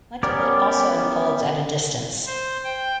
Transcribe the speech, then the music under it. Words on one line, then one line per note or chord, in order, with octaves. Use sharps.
Much of it also unfolds at a distance.
B3 C#4 G4 A#4 D5
C5
G5